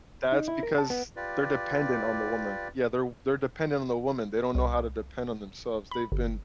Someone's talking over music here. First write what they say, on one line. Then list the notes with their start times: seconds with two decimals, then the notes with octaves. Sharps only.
That's because they're dependent on the woman. Yeah, they're they're dependent on the woman. They don't know how to depend on themselves. They've been
0.32 D#4
0.48 E4
0.63 A#4
0.78 A5
0.90 B3
1.16 F4 G4 B4 D5
4.55 C2
5.91 B5
6.12 G1